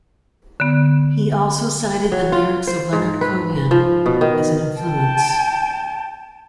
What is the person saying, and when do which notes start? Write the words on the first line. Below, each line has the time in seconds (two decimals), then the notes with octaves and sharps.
He also cited the lyrics of Leonard Cohen as an influence.
0.60 D3 B3
2.12 F#3
2.32 F4
2.67 C5
2.93 G#2
3.21 B4
3.71 F3
4.06 B2
4.21 D#3
4.80 G5 A5